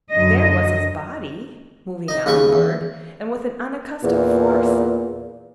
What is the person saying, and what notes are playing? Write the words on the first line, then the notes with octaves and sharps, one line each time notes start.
There was his body, moving onward, and with an unaccustomed force.
F#2 D3 F#3 D#5
D#4 D#5
D#2 C#3 B4 C#6
E2
E2 A#2